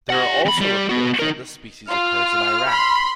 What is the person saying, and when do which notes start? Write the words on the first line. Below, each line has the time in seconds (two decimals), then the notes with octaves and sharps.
There are also reports that this species occurs in Iraq.
0.10 G4 F#5
0.46 E2 B5
0.61 G3
0.89 B3 F#4
1.19 D#4 A#4
1.90 F4 F6
2.69 B5 C6